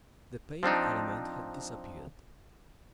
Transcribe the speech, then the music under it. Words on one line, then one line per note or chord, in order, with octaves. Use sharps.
The pain element had disappeared.
F3 C4 D4 D#4